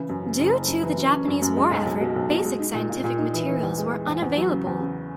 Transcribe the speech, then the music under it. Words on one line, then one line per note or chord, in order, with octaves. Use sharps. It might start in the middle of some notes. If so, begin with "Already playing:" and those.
Due to the Japanese war effort, basic scientific materials were unavailable.
Already playing: C#3 E3
F#2
C#3
F#1
F#1
F#2
E3
F#2
C#4
F#2
F#2
G#3
B1
B1
B2
B1
B2
G#3
D#4
A#2
A#2
A#2
D#4
E3
E3
E2
G#3
G#3
E2
E2
F#3
C#3
E2
C#3